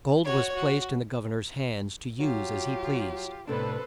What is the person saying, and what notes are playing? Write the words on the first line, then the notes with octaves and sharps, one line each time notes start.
Gold was placed in the Gov-er-nor's hands to use as he pleased.
F#4 C#5
F#4
F#3 F4 G4
A2 C3 B3 D4 A4 B4 C5